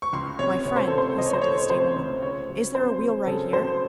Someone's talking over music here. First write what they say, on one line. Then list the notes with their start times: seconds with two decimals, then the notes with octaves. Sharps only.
"My friend," he said to the stableman, "is there a wheelwright here?"
0.02 C#6
0.13 C#2 C6
0.39 C3 C#5
0.65 C3 C#5
0.76 C5
0.87 C3 A4
0.98 C5
1.17 C#2 D#5
1.26 C#5
1.33 C5
1.42 A3 C#5
1.70 C3 C5
1.96 C#2
2.22 C#3 C#5
2.48 F#3
2.75 C4 C5
3.01 F#3
3.27 C#3 A4
3.53 F#3 C5